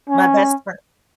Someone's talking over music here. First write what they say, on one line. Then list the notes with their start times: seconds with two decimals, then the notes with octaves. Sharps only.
My best friend
0.09 C#4